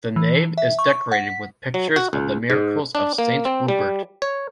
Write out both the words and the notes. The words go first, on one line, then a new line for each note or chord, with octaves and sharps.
The nave is decorated with pictures of the miracles of Saint Rupert.
E3
E5
C#6
F#5
B6
F#3
F#4
C#2
G#2
D4
A#3
C4
G3
C#5